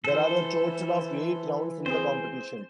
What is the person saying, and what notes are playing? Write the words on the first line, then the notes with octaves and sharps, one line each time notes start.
There are a total of eight rounds in the competition.
E3 A4 C5
C4 G#4 C5